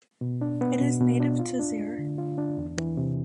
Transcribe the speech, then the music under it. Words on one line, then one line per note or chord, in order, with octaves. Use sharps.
It is native to Zaire.
B2
D4
B3
B2
B2
D4
F4
D4
A3
D3
F4
D4
E2
E3
C3